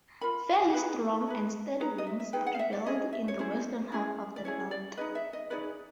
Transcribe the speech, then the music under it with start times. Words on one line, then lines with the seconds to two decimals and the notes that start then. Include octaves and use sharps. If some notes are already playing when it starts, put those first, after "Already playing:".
Fairly strong and steady winds prevailed in the western half of the belt.
0.21 F4 A#4 B5
0.74 D#4 G#4 B4
1.27 D#4 G#4 B4
1.80 D#4 G#4 B4 A#5
1.98 D#5
2.07 E5
2.20 E5
2.33 D#4 G#4 B4 G5
2.47 F#5
2.54 F5
2.59 E5
2.73 D5
2.86 C#4 E4 G#4 D#5
3.13 E5
3.28 C#5
3.39 C#4 E4 G#4 C5
3.92 C#4 E4 G#4
4.36 D5
4.44 C#4 E4 G#4 C#5
4.71 D5
4.97 D#4 G#4 B4 D#5
5.15 E5
5.33 D#5
5.50 D#4 G#4 B4 D5